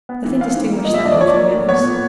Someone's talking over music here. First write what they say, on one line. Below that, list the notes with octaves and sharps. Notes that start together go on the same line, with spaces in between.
Nothing distinguished that one from the others.
B3
E3
C4 F5
E3
A#3
A#2 D#5
E5
D4 D#5
D5
F3 C#5
D5
A#3
A2
B3 C#5
A#2